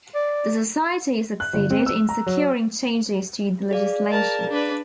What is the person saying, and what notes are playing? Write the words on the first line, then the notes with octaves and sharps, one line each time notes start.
The Society succeeded in securing changes to the legislation.
D5
F#6
G1
C4
E6
A#5
F#3
G#4 D5 F5
A#4 A5
D4 B4